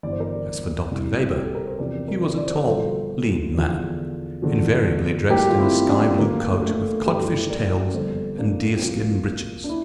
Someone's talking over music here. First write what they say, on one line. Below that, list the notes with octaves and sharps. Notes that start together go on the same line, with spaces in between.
As for Dr. Weber, he was a tall, lean man, invariably dressed in a sky-blue coat with codfish tails and deerskin breeches.
G1 G2 E3 D5
C5
A#4 D5
C2 C3 G3
G4
A4
A#4
C5
E2 C3 F3 A#4 D5
A#4 D5
D5
C5
A#4 D5
G1 G2 F3 A4 C5
E2 D3 F3
E2 D3 F3
A#1 A2 G3 G4 A#4
F4
C4 E4
E4
A#3 D4
D2 D3 F3 A#3
A3
G1 G2 F3 G4
A4
E4 G4
A#4 D5
G1 F2 D3 G3 A4 C5
A#3 D4
C4
C2 A#2 F3 A#3
D4
E4